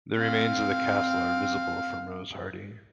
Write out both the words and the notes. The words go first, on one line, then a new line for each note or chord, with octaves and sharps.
The remains of the Castle are visible from Rosehearty.
C4 F5